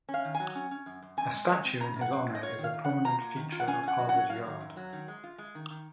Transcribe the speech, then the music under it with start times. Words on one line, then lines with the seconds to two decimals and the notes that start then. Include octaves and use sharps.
A statue in his honor is a prominent feature of Harvard Yard.
0.09 C#4
0.14 F5
0.25 D#3
0.35 G#5
0.40 F#3
0.55 C#4
0.71 C#4
0.86 F#2
1.02 F#2
1.17 C4 G#5
1.33 G#3
1.50 G#3
1.65 C4
1.80 C#3 A#5
1.96 F#2
2.01 F#5
2.11 C4
2.27 G#3
2.35 D#5
2.43 F4 C#5
2.59 D#3
2.64 F5
2.73 D#3
2.85 D#3 F#5
3.04 F4 A#5
3.21 A#3
3.36 D#3
3.52 F4
3.60 F#5
3.67 C#4 G#5
3.83 C#4 F#5
3.99 F#3
4.09 F#5
4.14 C#4
4.29 F#3 F5
4.46 D#3
4.60 F#2
4.77 F#3
4.93 D#3
5.08 G#3
5.24 F4
5.38 G#3
5.55 D#3
5.71 D#3